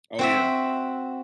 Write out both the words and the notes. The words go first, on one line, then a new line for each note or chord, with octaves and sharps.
Oh yeah.
C4 F#4 E5